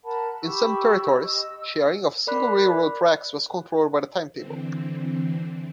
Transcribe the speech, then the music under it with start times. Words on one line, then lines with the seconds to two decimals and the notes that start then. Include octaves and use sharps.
In some territories, sharing of single railroad tracks was controlled by the timetable.
0.04 A#4 F#5 A5 B5
0.42 G4 B5 C#6 E6
1.23 D#5 E6
2.27 A#4 D5 B5 F#6
4.34 D3 E3 C4